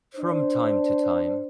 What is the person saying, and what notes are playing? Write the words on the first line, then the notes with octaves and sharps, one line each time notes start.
From time to time.
D4 C5